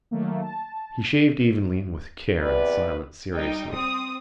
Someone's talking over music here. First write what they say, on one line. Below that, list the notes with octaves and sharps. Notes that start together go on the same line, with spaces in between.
He shaved evenly and with care, in silence, seriously.
D#3 F#3 A3 A#3
A5
E2 C3 B4 D5
G3 D#4 G5
C4 D#6